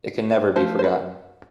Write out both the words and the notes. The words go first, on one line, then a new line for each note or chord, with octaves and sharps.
It never can be forgotten.
F3 A3 C5
C5
B4